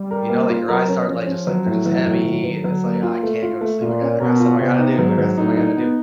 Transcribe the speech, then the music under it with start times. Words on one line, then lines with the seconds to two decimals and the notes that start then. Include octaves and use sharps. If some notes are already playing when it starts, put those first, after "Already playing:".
You know, like, your eyes start, like, just, like they're just heavy, and it's, like, "Oh, I can't go to sleep I got I got stuff I gotta do, I got stuff I gotta do."
Already playing: G3
0.11 A#4
0.29 A#3
0.49 F4
0.68 F#3 A#4
0.88 C#4
1.08 F3 C#4
1.27 C#4
1.47 F#3
1.66 A2
1.86 E3 F#3
2.06 A2
2.25 D#3 F#3
2.44 F#3
2.64 D3 F#3
2.84 A#3
3.03 F4
3.23 A3
3.42 F4
3.61 A3
3.81 A#2 F4
4.01 C#4
4.20 B2 A#4
4.40 F4
4.59 C3 B3
4.79 D#4
4.98 G#2 F#3
5.18 F#3
5.38 A2 D#4
5.57 D#4
5.77 B3